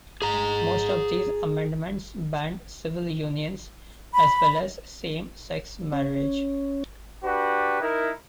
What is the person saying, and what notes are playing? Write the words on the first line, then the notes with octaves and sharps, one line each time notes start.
Most of these amendments banned civil unions as well as same-sex marriage.
G#4 A#5
B5
C#4
D4 F#4 G4 B4
D#4 E4 A#4